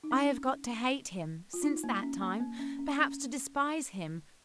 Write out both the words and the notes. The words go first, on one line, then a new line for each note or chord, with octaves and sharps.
I have got to hate him, since that time--perhaps to despise him.
D#4
C#4
F4
D#4
A#3
C#4
A#3
A#3
C#4
C#4
C#4